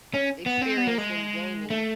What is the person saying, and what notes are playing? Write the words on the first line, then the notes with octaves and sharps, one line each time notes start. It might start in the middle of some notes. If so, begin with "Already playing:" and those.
experienced in gaming
C#4
B3
C4
B3
A#3
G#3
A3